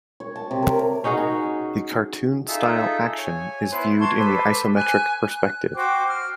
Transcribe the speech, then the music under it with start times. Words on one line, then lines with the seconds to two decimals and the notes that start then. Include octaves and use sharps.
The cartoon-style action is viewed in the isometric perspective.
0.20 C#5
0.36 A5
0.51 C3
0.62 A#4
1.04 C#4 D#4 F#4 G#4
2.48 D#4 F4 G#4 A4 E5
3.18 C#5 G#5
3.72 B3 E4 B4 C5 C6 F#6
3.98 A5 C6 C#6 G#6
4.16 A4 B4 C5 D6
4.75 G#5 F#6
5.27 F#6
5.75 F#4 C5 G5 D6
6.08 F6